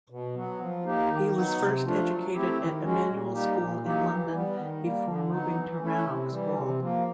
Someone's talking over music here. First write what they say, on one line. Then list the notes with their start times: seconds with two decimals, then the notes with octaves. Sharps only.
He was first educated at Emanuel School in London, before moving to Rannoch School.
0.10 B2
0.35 F#3 B3
0.60 F3
0.84 A#3 D#4 G4
1.09 D#3
1.34 F#3 B3 D#4
1.59 C3
1.83 F3 A3 D4 F4
2.08 F#3
2.33 A3 C4 E4 G4
2.57 D#3
2.83 G#3 C#4 F#4
3.07 A#2
3.33 G3 A#3 D#4 G4
3.57 A#2
3.82 F#3 A#3 D#4 G4
4.07 E3
4.32 G3 B3
4.56 D#3
4.81 G3 A#3
5.06 D3
5.30 F#3 B3 D#4
5.55 E3
5.80 A3 C#4 E4
6.05 C3
6.30 E3 G3
6.55 C3
6.79 F3 A#3